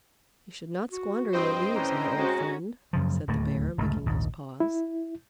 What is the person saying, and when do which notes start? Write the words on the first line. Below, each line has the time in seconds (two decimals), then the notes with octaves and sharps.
"You should not squander your leaves, my old friend," said the Bear, licking his paws.
0.92 F#4
1.33 G2 C4 C5 D#5 G5
1.75 A2 E3 C#4 A#5
2.17 G#3 C#4 F#4
2.93 F#2 C#3 F3
3.27 D1 D#2 A2 A3
3.78 D1 C#2 F#2 A3
4.06 A#1 D#2 G#2
4.60 E4